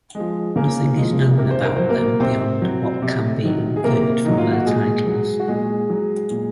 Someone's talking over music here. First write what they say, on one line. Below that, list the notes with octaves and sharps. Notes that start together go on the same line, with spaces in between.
Nothing is known about them beyond what can be inferred from their titles.
F3 G#3
C#3 A#3 A#4
F3 G#3
C3 A#4
C5
A#4
F#3 C5
A#3 A#4
C3 C4 C5
F#3
C3
D#3 F#3
G#4
C3 A#3 A#4
D#3 F#3 D#4
F4
F#4
A#2 G#3 G#4
F#3
F#4
A#2 G#3 G#4
F#3
A#2